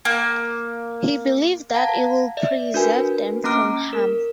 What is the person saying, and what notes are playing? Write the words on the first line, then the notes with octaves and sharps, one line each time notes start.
He believed that it would preserve them from harm.
A#3
F5 F#5 A5 A#5 G#6 A#6
D5 E5
D4 F#4 A#4 B4 G#5
A#3 C#4 A#5 D6 F6 D7
A#4